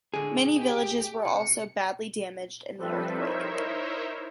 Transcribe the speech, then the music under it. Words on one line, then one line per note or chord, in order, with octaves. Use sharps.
Many villages were also badly damaged in the earthquake.
A2 D3 G#3 G#4
A#2 G4 D#5 G5
C3 C#7
F3 G3 C4 A4 B4 E5
D#4 E4 A#4 C5 C#5 E5